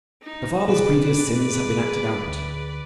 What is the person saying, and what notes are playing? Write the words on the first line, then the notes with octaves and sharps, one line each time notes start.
The father's previous sins have been acted out.
D#4
B2 G#4 B4 D5
D2